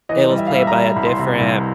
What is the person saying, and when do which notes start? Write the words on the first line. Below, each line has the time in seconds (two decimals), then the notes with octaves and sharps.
it was played by a different
0.09 E3 D#5
0.30 G3
0.38 E5
0.47 F5
0.52 G3 E5
0.67 A#5
0.74 G3
0.96 C2 B5
1.07 C6
1.17 C3 B5
1.40 C2